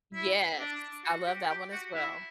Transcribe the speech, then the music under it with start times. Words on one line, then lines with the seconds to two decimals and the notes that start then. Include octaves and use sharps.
Yes, I love that one as well.
0.14 E4
0.59 D4
1.04 F#4
1.27 G4
1.49 G4
1.72 F#4
1.94 E4